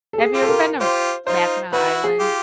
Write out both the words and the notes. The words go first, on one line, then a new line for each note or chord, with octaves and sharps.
have you ever been to Mackinac Island?
A4
G#4
F4 G4
A4
A#4
F4 G4 C5
D#4 F4 C5
E4 F#4 B4
G#4
F4 G4